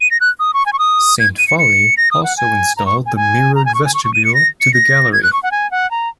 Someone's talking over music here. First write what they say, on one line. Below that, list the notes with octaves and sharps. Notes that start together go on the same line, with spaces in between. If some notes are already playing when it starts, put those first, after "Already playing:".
Saint Phalle also installed the mirrored vestibule to the gallery.
D#7
A#6
F#6
D#6
C#6
G#5
C#6
D#6
G#6
D#7
C#7
C#7
A#6
D#6
F#5
G#5
A#5
C#6
G#5
G#5
A#5
G#5
C#6
G#5
C#6
C#6
D#7
C#7
A#6
C#7
A#6
G#6
F#6
C#6
F#5
G#5
F#5
A#5